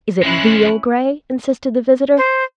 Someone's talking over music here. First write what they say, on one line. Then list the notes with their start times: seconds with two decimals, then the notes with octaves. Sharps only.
"Is it real grey?" insisted the visitor.
0.22 F3 G#3 C#4 E4 F#6
2.18 C5